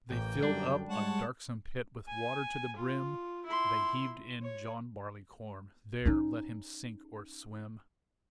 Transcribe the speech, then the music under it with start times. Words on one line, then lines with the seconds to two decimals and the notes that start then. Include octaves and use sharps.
They filled up a darksome pit With water to the brim, They heaved in John Barleycorn-- There let him sink or swim.
0.11 A1 A#3 G5
0.43 F#2 D3 G3 D4
0.89 G#3 C#5 F#5 A5
2.08 G#5
2.76 F4
3.46 E4 C6
4.42 C#5
6.05 C#4 D#4